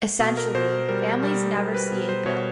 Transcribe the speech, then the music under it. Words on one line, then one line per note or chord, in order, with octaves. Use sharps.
Essentially, families never see a bill.
B2 A4
A#4
B2 C5
G3 A#4
G3
G3 A#4
B4
B2
C5
B2 C#5